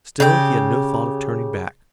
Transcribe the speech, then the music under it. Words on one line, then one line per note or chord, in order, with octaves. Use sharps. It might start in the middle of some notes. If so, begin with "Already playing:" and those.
Still he had no thought of turning back.
C#3 G4